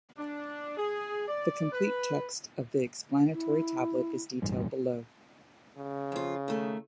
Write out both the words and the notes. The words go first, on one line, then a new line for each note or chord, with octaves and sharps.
The complete text of the explanatory tablet is detailed below.
D4
G#4
D5
B4
E4
E1 A1 G2
C#3
F2 F4
D#3 A3